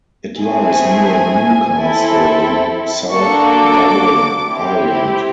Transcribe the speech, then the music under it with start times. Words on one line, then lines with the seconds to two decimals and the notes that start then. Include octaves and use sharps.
It lies near Newcastle, in South Dublin, Ireland.
0.41 A3 C4 E4 G#4 G#5
1.77 C4 E4 A4
3.12 A#3 D4 F#4 A4 C#6
3.46 D6
4.48 C4 E4 G4